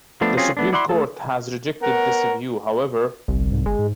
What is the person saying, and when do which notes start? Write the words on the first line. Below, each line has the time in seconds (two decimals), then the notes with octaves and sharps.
The Supreme Court has rejected this view, however.
0.21 F3 A3 B3 D4
0.37 F#3 C4 C#4 F4 G#4
0.57 A3 B3 D4
0.73 E4 D5 F#5 B5 C6
0.89 A3 G#4 A4
1.82 B3 A#4 C#5 F#5
3.28 G1 C2
3.52 G#2
3.66 G1 G#3
3.79 G#2